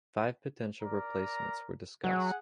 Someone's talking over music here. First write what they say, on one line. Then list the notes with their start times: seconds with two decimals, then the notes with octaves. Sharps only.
Five potential replacements were discussed.
0.82 A#4 D5 A#5
2.04 F#3 G#4 F#5